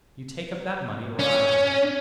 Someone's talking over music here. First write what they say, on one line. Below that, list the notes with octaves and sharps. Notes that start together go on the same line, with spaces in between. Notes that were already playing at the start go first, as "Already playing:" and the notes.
You take up that money, or I will.
C#4